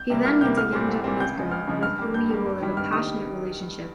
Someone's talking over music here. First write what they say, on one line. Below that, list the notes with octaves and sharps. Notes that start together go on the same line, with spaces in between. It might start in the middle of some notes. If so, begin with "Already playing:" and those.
He then meets a young Japanese girl with whom he will live a passionate relationship.
Already playing: G6
C3 G3 A#3
C2 F6
C3 G3 A#3 G6
C2 F6
A#2 G3 C4
C2
A#2 G3 C4
C#2 G6
C#3 F3 G#3
C#2 F6
C#3 F3 G#3
G2 F6
G3 A#3
G2 G6
G3 A#3
G2
D#3 G3
G2 F6
D#3 G3 D#6